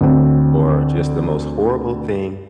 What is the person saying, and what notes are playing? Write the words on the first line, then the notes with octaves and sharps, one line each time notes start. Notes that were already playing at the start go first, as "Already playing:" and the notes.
or just the most horrible thing
D2 C4